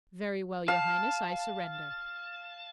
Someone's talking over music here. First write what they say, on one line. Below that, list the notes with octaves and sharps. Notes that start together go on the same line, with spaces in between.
"Very well, your Highness, I surrender."
F5 A5